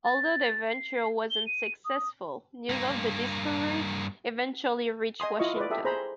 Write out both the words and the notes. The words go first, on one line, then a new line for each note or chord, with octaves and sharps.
Although their venture was unsuccessful, news of the discovery eventually reached Washington.
A6
C7
G7
D#7
D#6
G2 A#3
D#5 G#5 C6 D#6
E4 F4 D#5 C#6
B4 D5
G4 A4 E5 D#6
G#4 C5 A#5 B5